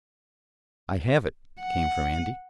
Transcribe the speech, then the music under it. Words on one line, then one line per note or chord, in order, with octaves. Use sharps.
"I have it!" came from Andy.
F#5